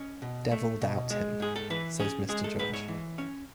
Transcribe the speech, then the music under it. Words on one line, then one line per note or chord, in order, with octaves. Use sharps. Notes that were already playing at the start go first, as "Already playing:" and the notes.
"Devil doubt him," says Mr. George.
Already playing: C#4 D#5
B2
A3
B2
G#3
G#2 G#4
A4
E3 B4
C#4 G#4
G#3 G#4
A4
G#2 B4
C#5
E3
C#4